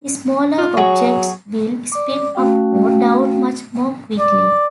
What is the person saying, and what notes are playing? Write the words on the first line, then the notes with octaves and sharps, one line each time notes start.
Smaller objects will spin up or down much more quickly.
F4
F#3 F#4 G#4 C#5
D5 D6
A3 C#4 F#4 F5 G5
D5